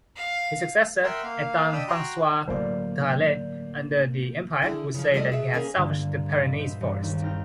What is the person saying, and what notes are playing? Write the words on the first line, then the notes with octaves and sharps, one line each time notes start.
His successor, Etienne-François Dralet, under the empire, would say that he had salvaged the Pyrenees forest.
F5
A#4 E5 F#5 G5 C6
A#3 F5
D4 D#5 G5 B5 D#6 E6
F#4 G5 A#5 C6 F#6
A2 D3 F#3 A#3 E4 C5 D5
D3 E4 G#4
C#3 E3 F3
G3 A3 F4 A4 D5 D#5
G#4 E5
A#3 C#4 E4 G#4 A#4 G#5
G2 D3 A#3
E1 A#2 C5 D#5 B5 A6
C5 E5
E1 G2 C#7
D#2
C4 D#4 G5 F6